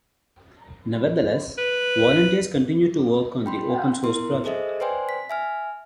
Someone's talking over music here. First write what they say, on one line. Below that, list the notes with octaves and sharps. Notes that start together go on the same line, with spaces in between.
Nevertheless, volunteers continue to work on the open source project.
B4
G5 B5 C6
B3 E4 A#4 C6
G#4 A4 C5 D#5 E5
B4 C5 D5 G5 G#5 C6
B6
E5 G#5 F6